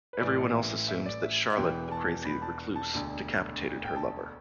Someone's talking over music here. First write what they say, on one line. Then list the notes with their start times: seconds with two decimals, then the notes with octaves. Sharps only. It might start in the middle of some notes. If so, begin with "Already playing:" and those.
Everyone else assumes that Charlotte, the crazy recluse, decapitated her lover.
0.13 B4
0.20 A1 A2 E3 D5
0.54 E5
0.88 E5
1.06 D5
1.23 E5
1.52 E5
1.57 E1 E2 E3 G5
1.91 A5
2.25 B5
2.42 A5
2.76 A5
2.93 E1 D2 D3
3.85 G5
3.96 A5